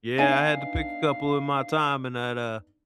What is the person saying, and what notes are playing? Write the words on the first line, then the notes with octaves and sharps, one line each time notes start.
Yeah, I had to pick a couple in my time, and I'd, uh
B3 D4 D#4 E5 F5 G#5